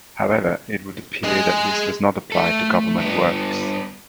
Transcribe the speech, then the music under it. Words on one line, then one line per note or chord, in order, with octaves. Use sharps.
However, it would appear that this does not apply to government works.
G#3 G#4
A3 A4
G2 B3